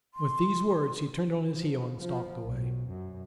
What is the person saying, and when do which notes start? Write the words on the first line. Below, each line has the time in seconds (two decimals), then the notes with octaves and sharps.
With these words he turned on his heel and stalked away.
0.14 C6
1.53 F3
1.99 F3
2.46 B1
2.93 F#2